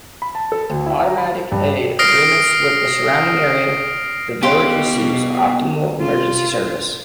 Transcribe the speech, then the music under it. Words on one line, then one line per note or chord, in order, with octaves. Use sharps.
Through automatic aid agreements with the surrounding area, the Village receives optimal emergency service.
B5
A5
A4
D2
E4
A#5
B5
G2
D#6 F6 A#6 C7 D7
B3 G4 D#5 F5 C6
F4